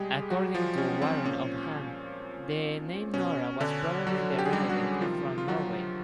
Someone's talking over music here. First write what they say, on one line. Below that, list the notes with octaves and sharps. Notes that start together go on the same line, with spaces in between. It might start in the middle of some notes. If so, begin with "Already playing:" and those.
According to Warren Upham, the name Nora was probably derived from Norway.
Already playing: B2 G3 G#3 G4 G#4
F#3 F#4
F3 F4
C#4
C4
A#2 F3 C#4
B2 C#4
D3 D4
F#3 F#4
G4
G#4
G3 G4
F#3 F#4
C3 D#3 F3 F4
F4
F#3 F#4